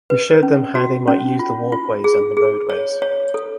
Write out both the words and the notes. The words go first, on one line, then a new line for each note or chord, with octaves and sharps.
We showed them how they might use the walkways and the roadways.
B4
C#4
F#4
C#4
F4
F4
G#4
G#4
C#5
C#5
A4